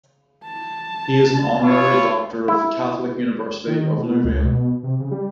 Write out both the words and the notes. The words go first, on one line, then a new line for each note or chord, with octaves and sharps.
He is an honorary doctor of the Catholic University of Louvain.
A5
E4 F4 C#5
E4
D#3
B2
C#2
B2
C3
C#3
G3